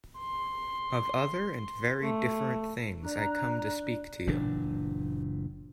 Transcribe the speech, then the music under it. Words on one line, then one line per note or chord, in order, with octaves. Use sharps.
Of other and very different things I come to speak to you.
C6
A3
D4 D5 A#5 F#6
F#1 A#2 E3 D4